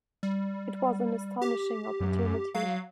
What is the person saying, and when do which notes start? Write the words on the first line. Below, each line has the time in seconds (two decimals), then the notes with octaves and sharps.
It was an astonishing opportunity.
0.23 G3
1.42 G4
2.00 F#2
2.54 F#3 F5